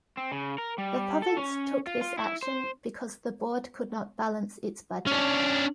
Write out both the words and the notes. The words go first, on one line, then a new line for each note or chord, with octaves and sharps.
The province took this action because the board could not balance its budget.
C4
C#3
A#4
G3
A4
C#4
F4
F4
E4
C5
C#4 D4